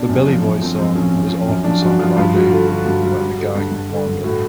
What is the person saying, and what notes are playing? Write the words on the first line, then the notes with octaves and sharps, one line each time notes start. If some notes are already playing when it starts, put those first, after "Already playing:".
The "Billy Boys" song was often sung loudly when the gang performed it.
Already playing: B2 D4
F#2
F3
F#2
F3 C4
F3 C4
F3 C#4
F#2
F3
F#2
F3 D4
F3 F#4
F3 F4
G2 F4
F#3 F#4
D3 F4
D3 F#4
G2 F#4
F#3 F#4
G3
D3
G2
G2
D3
G2
A2 F#4